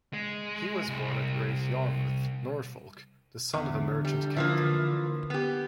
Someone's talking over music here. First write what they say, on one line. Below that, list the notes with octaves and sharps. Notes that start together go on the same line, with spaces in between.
He was born at Great Yarmouth, Norfolk, the son of a merchant captain.
G#3
C2
E2 D3
G3
E3 F3 A#3
B3 G4